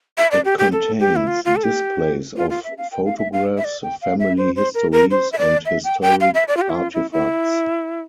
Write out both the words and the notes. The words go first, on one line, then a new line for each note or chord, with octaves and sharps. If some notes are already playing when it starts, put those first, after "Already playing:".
It contains displays of photographs, family histories and historic artifacts.
E5
D5
G4
G4
A4
G4
E4
F4
F4
A4
G4
F4
F4
E5
F5
G5
F5
E5
F5
E5
D5
G5
F5
E5
C5
C5
A#4
A#4
C5
E5
D5
E5
G5
G5
F5
E5
D5
F4
G4
E4
F4
E4
E4